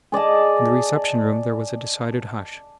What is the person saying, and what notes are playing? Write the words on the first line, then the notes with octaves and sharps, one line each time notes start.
In the reception room there was a decided hush.
G#4 D5 D#5 A5